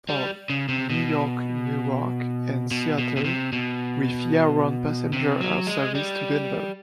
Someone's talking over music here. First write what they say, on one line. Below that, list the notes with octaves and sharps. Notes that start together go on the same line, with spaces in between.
Paul, New York Newark, and Seattle, with year-round passenger air service to Denver.
G3
C#3
C3
B2
B2
B2
B2
C3
B2
C3
F#3
G#3
G3